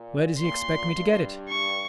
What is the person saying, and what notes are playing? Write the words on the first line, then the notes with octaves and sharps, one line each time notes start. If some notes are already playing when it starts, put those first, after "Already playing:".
Where does he expect me to get it?
Already playing: A#2
A#2 C6
G2
C#6